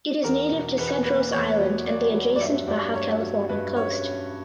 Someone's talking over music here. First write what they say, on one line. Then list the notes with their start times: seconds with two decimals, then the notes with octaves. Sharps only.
It is native to Cedros Island and the adjacent Baja California coast.
0.24 E2 A#4
0.51 B2
0.78 E2 B4
1.05 A#3 B4
1.32 E2 C#5
1.59 F#3
1.86 A#3 D5
2.13 F#3
2.36 D5
2.40 G2 E5
2.67 G2 D5
2.94 G2 C#5
3.21 F#3
3.49 G2 B4
3.75 C#4 C#5
4.03 C#4